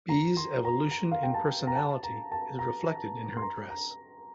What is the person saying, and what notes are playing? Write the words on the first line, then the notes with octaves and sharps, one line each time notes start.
Bee's evolution in personality is reflected in her dress.
A#5
C6
A#5
A#5
F5
G5
A5
A#5
A5
A#5
A5
A#5
C6
A#5
A#5